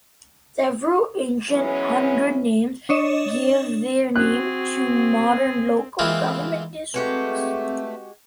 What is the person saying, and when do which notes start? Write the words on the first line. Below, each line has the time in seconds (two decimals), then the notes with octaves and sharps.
Several ancient hundred names give their name to modern local government districts.
1.50 E3 F#3 G#3 B3 C#4
2.89 D4 C#5 D#5 E7
4.16 C4 F#4 G#4 F#6
5.99 E3 G#3 A#3 C4 E4 F4
6.94 G#3 A3 C4 F#4 G4 B4